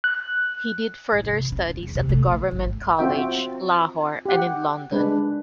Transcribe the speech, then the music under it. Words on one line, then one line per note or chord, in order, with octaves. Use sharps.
He did further studies at the Government College, Lahore and in London.
F#6
G#2
C3
E3
C#4
E1
E2
C3
A3
A#1
D3
G#1
A3
C4 F4 F#4 E5 G5
G4 F#5
G#3 D4 B4